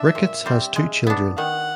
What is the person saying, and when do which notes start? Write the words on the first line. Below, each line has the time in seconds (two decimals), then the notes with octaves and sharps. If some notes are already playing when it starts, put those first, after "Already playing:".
Ricketts has two children.
Already playing: D4 E5
0.15 A#2
0.46 G3 C4
0.76 G#3
1.07 B3 D4
1.37 D#3 F#5